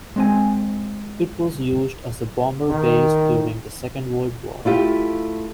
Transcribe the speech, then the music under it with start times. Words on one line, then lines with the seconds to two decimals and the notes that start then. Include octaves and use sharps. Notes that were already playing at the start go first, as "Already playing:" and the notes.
It was used as a bomber base during the Second World War.
0.16 G#3 C4 G#5
2.69 D#3
4.65 A3 E4 F4 G4